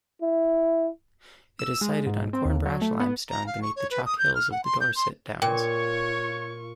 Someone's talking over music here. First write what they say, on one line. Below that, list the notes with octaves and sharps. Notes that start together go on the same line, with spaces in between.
It is sited on Cornbrash limestone beneath the chalk hills of the Dorset Downs.
E4
E6
G#3
G#2
C4
D#2
F#3
A3
B3
A#5
F5
C#6
C#5
B4
D#6
G6
F6
F#5
C6
G6
C6
A#2 F4 C#5 G5 C#6